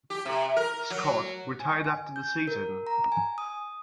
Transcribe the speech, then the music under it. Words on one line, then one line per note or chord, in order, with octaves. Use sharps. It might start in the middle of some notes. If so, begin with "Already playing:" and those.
Scott retired after the season.
G4
C3
A#4
F#3
G#5
G#5
G6
A#4
A#5
G#5
D#6